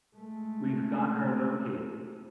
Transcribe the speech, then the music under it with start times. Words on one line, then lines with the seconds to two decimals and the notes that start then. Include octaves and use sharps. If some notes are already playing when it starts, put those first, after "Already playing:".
We've got her located.
0.15 G#3 A3